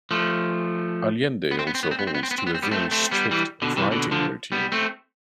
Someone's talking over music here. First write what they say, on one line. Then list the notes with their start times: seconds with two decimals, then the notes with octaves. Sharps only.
Allende also holds to a very strict writing routine.
0.11 F3 A3
1.51 B3
1.59 C4
1.67 B3
1.75 C4
1.83 B3
1.91 C4
1.99 B3
2.07 C4
2.14 B3
2.23 C4
2.31 B3
2.38 C4
2.47 B3
2.54 C4
2.62 G3 B3
2.71 A3 C4
2.91 A3 C4
3.11 G3 B3
3.31 E3 G3
3.62 B2 D3
3.76 C3 E3
3.91 B2 D3
4.11 D3 F3
4.52 G3 B3
4.72 A3 C4